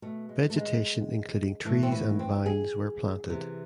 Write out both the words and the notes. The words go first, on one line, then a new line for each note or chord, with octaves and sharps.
Vegetation including trees and vines were planted.
B2 A3
G#3
A3
G#3
A2 E3 A3
C4
B3
C4
G#4
C3 E3